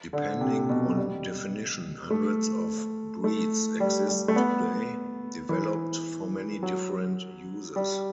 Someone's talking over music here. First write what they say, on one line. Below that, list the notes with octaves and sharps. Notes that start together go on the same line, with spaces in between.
Depending on definition, hundreds of "breeds" exist today, developed for many different uses.
D3
C3
B2
G3
A3
A3
G3
G3
A3
B3
E3
F#3
G3